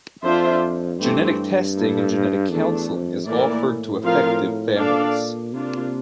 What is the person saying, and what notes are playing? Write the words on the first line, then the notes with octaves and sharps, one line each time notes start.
Genetic testing and genetic counseling is offered to affected families.
F2 D4 F4 C5 E5
G2 E3 A3 C4 G4
A#3 E4 A4
E2 A3 D4 A4
F2
A2 E3 A#3 E4 A#4 D5
F3 C4 F4 A#4 F5
A#2 D4 A4 D5 F5
C3 A#3 D4 F4